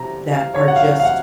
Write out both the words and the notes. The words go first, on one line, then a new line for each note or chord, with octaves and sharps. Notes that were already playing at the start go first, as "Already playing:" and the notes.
that are just
Already playing: C3 A#5
F5
C#5
F#5
F5
F5
F#5